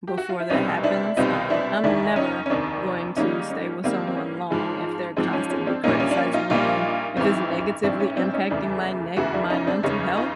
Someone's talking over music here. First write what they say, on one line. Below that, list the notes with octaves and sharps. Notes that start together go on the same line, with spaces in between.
before that happens, um, I'm never going to stay with someone long if they're constantly criticizing me and if it's negatively impacting my ne my mental health,
G4
F#4
F4
E4
C2 B2 G3 C4 C#4 D#4
D4 E4
C2 B2 G3 C4 D#4 F4
D4 E4
F1 D#2 D#3 D4 E4
C#4 D#4
C#4
F1 D#2 D#3 C4 D4
G#2 D#3 G3 A#3 C#4 D#4
C#4
G#2 D#3 G3 A#3 C4
C4
C#4
G#2 F3 G#3
G#2 F3 G#3 C4
C#4
C#4
C4 D4
A#1 A#2 G3 A#3 C#4 D#4
C#4
D4
C#4
D#4 F4
A#1 A#2 G3 A#3 D#4 F4
A1 G#2 E3 C4
C#4
A1 G#2 E3 C4 D4
C#4
C4 D4
C#4 D#4
F1 E2 C#3 E3 A3 D4 E4
F1 E2 C#3 E3 A3 E4 F#4
D4 E4
E4
C#4 D#4
C4 D4
F#1 E2 C#3 C#4 D#4
D#4 F4